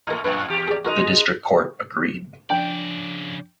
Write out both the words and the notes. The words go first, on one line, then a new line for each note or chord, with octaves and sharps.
The district court agreed.
A2 A3 D#4 A#4
F#2 A#2 B4
E2 G4
G#4 D5
G#3 D#4 F#4 A#4 D#5
C#3 F3 D4 D5 G5